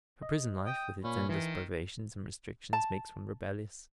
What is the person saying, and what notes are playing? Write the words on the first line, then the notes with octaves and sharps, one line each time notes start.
For prison life with its endless privations and restrictions makes one rebellious.
D#5
G5 D#6
A#2 C#4 B5
D#3 E3
A5